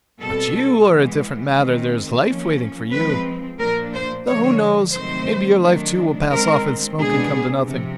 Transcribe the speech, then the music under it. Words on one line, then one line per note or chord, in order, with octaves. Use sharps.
But you are a different matter, there is life waiting for you. Though, who knows? maybe your life, too, will pass off in smoke and come to nothing.
B2 G3 C4 A4
E3 G#3 B3
D#3 G#3 C4
F3 A#3 C#4
F3 G#3 C4 B4
A#2 F3 A#3 D4 A#4
C5
D3 F3 G#3 C#5
C3 D#3 F#3 A3 C4 C5
D#3 F#3 A3 D4
D#3 G#3 C4 A#4
B2 G#3 B3 D4 G#4
C3 F3